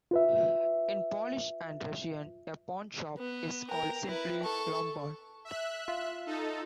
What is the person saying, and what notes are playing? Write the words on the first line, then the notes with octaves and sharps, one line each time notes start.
In Polish and Russian, a pawn shop is called simply "lombard".
F4 B4 E5
B3
A#4 G5
E4 B4
A4 C#6
E5 F#6
F4
D#4 A4